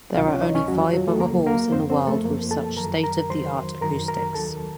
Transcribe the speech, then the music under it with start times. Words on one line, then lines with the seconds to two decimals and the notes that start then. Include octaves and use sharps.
There are only five other halls in the world with such state-of-the-art acoustics.
0.15 C#2 C3 F#3 F4 F5
0.28 C#4 C#5
0.41 D#4 D#5
0.55 C#4 C#5
0.68 F2 D#3 F#3 F#4
0.80 F4
0.93 F#3 F#4
1.07 A3 A4
1.20 D#2 C#3 F#3 A#3 A#4
1.46 A#3 A#4
1.72 F#2 C4 C5
1.76 F3
1.90 C4 C5
2.07 A3 A4
2.24 F#2 F3 A#3 A#4
2.51 A4 A5
2.77 F#2 D#3 F#3 A#4 A#5
3.03 A#4 A#5
3.30 F2 D#3 F#3 C5 C6
3.81 F#2 D#3 F#3 A#4 A#5
4.08 A#4 A#5
4.34 D#2 D#3 F#3 A4 A5